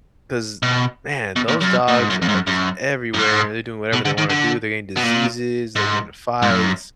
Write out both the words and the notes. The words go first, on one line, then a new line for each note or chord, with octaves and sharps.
'cause, man, those dogs are just everywhere, they're doing whatever they wanna do, they're getting diseases, they're getting into fights.
B2
B2
A#2
F#2
A#2
G#2
F#2
F2
G#2
F#2
F#2
F#2
G#2
B2
D3
D#3
D3
B2
A#2
G#2
G#2
F#2